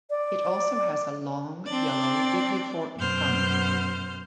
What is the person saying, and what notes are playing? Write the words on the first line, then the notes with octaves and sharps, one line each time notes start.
It also has a long, yellow, deeply forked tongue.
D5
C4 D4 D5
F#2 B2 C5 F6 G6